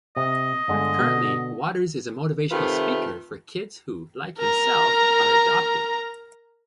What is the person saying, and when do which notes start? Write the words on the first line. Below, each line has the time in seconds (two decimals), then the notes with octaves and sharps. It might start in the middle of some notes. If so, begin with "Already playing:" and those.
Currently Watters is a motivational speaker for kids who, like himself, are adopted.
0.17 C3 D#5
0.68 G1 D3 G#3
1.00 B2 D3
2.51 C3 D#3 A3 F4 B4
4.38 A#4 A#5